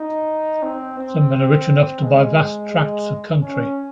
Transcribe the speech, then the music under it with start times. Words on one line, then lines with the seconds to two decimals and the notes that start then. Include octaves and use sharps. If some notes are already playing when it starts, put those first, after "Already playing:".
Some men are rich enough to buy vast tracts of country.
Already playing: D#4
0.63 C4
0.98 C4
2.03 G#3
2.73 G#3
3.42 C#4